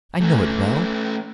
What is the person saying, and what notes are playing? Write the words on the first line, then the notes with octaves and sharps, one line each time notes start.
I know it well.
A3 C#4